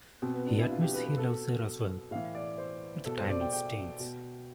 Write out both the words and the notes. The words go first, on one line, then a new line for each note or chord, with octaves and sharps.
He admits he loves her as well, but the timing stinks.
B2 C4
B3
D4
E4
F4
G4
B4
B4
B2 A4
A2 E3 F5
D5
C5
B2 A4
C5
D5
G5
G5
B2